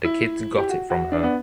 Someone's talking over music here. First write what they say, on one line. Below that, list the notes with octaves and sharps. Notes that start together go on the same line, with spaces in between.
The kids got it from her.
E4
G4
F#4
F#4
D4
B3